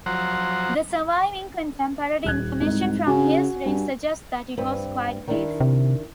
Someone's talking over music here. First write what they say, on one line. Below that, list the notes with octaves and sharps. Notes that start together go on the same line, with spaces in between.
The surviving contemporary information from his reign suggests that it was quite brief.
F3 F#3 C5 F#5 A#5
D#1 F#6 G#6
C2 G#2
C#3 F#4 G#5
G2
G2 C4 B4
D#3 D4 E4
C3